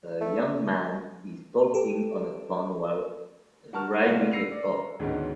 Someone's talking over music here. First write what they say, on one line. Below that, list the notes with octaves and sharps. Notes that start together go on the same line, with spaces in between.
A young man is talking on a phone while riding a horse.
A3
G4 A4
F#4 A#4 A5 C#6 F6
C3 G3 A#3 F4 F#4 B4
E6 A#6 C7 C#7 F7
D5
A#5
D2 G#2 D#3 G#3 B3 C#4